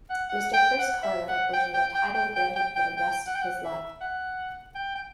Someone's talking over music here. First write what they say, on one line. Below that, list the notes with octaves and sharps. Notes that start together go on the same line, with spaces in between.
Mr Chris Carter, which is a title granted for the rest of his life.
F#5
F#5
G5
F#5
E5
F#5
G5
G5
G5
G5
G5
G5
G5
G5
F#5
G5
F#5
E5
F#5
G5
G5